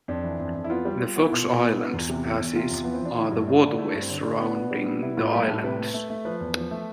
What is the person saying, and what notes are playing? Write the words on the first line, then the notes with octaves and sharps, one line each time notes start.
The Fox Islands Passes are the waterways surrounding the islands.
F2 D4
E3
F2
F2
E4
B3 F4
G3
G3
B3
E4
B2 F4
B2
B3
B3
E2
C3
E2
E2
C3 F4
E2
E3 B3
C4
E3 D4
D3 E4
G2
A3 D4
D3
A3 E4
G2 D4
C4
D3 D4
D3
B3
B3
G3
B3
B3 E4
A2 F4
G3 G4
A2 A4
C3 B4
A3
A3
A3
F3 B4
E2
F3
A3